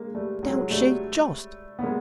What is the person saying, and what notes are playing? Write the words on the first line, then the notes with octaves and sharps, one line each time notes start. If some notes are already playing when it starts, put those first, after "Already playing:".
Don't she just!
Already playing: G#3 A#3
G3 A3
F#3 G#3
G3 A3
B3
G#3 A#3